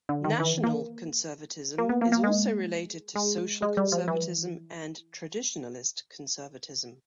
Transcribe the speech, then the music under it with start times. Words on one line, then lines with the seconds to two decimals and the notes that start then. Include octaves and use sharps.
National conservatism is also related to social conservatism and traditionalist conservatism.
0.09 D3
0.24 D#3
0.40 E3
0.63 A#3
1.78 A#3
1.89 B3
2.01 A#3
2.12 A#3
2.24 G#3
3.16 G#3
3.62 G#3
3.77 G3
3.92 F3
4.08 E3